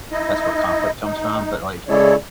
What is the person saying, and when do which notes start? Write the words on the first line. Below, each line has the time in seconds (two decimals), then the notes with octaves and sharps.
that's where conflict comes from, but like
0.12 D#4 E4 D#5
1.04 D#4
1.89 C#3 G#3 E4 A4 C#5 D5